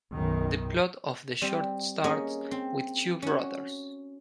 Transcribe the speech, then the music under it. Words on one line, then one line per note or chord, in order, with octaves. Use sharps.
The plot of the short starts with two brothers.
B1 F#2 D#3
G3 C4
A#3 C#4 G#4 D#5
C4
C#4 F#4